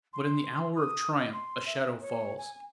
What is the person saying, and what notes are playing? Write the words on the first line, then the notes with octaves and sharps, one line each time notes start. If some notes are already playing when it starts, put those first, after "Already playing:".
But in the hour of triumph a shadow falls.
C6
D#6
D#5
C6
E5
C#5
G#5